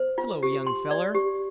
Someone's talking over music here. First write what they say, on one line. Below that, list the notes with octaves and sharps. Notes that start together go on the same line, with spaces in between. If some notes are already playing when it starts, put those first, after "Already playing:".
"Hello, young feller."
Already playing: C5
F4
G4
C6
D5
G4